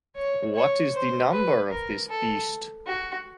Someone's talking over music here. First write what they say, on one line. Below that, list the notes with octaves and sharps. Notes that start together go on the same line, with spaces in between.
What is the number of this beast?
C#5
C#5
C5
B4
A#4
A4
F#4